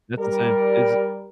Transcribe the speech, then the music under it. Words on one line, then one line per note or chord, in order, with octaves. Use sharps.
That's insane. Is i
G3 A#4